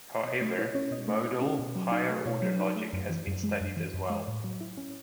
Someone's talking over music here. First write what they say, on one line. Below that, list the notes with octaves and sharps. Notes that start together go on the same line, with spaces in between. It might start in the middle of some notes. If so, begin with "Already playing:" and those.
However, modal higher-order logic has been studied as well.
B2 D#5
A3 D#5
E4 C#5
C#4 C#5
B2 D#5
A3
E4
C#4
B2
F#3
D#4
A3
B2 C#5
F#3
D#4 B4
A3
F#2
E3
F#2
G#3
F#2
E3
F#2
G#3
A2
F#3
E4
C#4